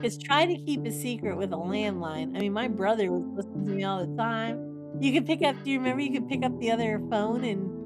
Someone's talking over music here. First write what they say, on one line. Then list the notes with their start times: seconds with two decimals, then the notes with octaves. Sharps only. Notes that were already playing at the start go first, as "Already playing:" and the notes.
Just try to keep a secret with a landline, I mean, my brother was listening to me all the time. You could pick up do you remember you could pick up the other phone and
Already playing: D3
0.30 D3
0.76 D3
1.22 F#2
1.69 C4
2.15 C4
2.62 A3
3.08 C4
3.55 D3
4.01 D3
4.47 D4
4.94 D3
5.41 G3
5.86 B2
6.33 E2
6.79 E2
7.25 A3